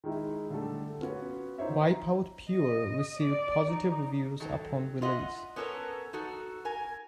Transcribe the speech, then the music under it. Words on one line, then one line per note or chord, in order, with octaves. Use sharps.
"Wipeout Pure" received positive reviews upon release.
D#3 G#3 D#4 E4
D3 G3 A3 A4
B3 C#4 F4 F#4 B4 C#5
D#4 F4 C5 C#5 E5
A#5
D#5
D5
D#4
D#3 F#3 A4
F4 D#5 E5 F#5
B3 C#4 A4 A#4 C#5
D#4 F#4 A4
A#4 G#5